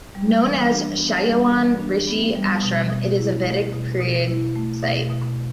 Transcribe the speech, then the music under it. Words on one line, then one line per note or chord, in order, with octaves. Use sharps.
Known as Chyawan Rishi Ashram it is a Vedic period site.
G3
E3
D4
B3
G3
E3
D4
B3
G3
B2
B2
E4
A3
B2
B2
E4
A3
B2
B2